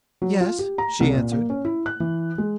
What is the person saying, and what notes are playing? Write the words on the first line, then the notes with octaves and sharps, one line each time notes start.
"Yes," she answered.
F#3
F4
G4
A#5
C2
A#2
A#3
C#4
E4
F#6
E3
G#3